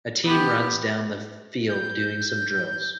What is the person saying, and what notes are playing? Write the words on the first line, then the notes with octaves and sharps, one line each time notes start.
A team runs down the field doing some drills.
B3 G4
G6